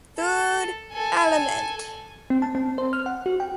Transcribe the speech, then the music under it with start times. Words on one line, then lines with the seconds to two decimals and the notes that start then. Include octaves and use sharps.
Third element.
0.18 A4
0.92 A4 G#5
2.30 C4
2.42 A5
2.55 C4
2.78 C5
2.93 F6
3.06 F#5
3.26 F#4
3.40 G5